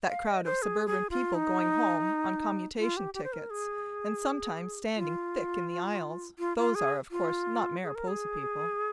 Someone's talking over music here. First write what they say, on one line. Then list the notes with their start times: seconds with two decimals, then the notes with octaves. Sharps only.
That crowd of suburban people going home on commutation tickets and sometimes standing thick in the aisles, those are, of course, not Mariposa people.
0.08 F5
0.26 D#5
0.44 C5
0.62 G#4
0.86 G#4
1.10 F4
1.34 D#4
2.79 F4
2.97 G4
3.14 G4
3.24 C5
3.33 A#4
3.50 G#4
4.95 F4
6.39 F4
6.57 F4
6.75 G#4
7.11 F4
7.84 G#4
7.95 A#4
8.07 G#4